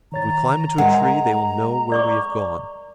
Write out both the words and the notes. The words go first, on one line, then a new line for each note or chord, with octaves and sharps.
If we climb into a tree they will know where we have gone.
D#3 C#5 A#5 A6
G#3 A#4 D#5 F#5
D5 C#6 D6